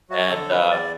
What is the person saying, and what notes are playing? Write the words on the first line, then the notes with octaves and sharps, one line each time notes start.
and uh
F#3 F#4
D3 A4
F#3 B4
E2 D5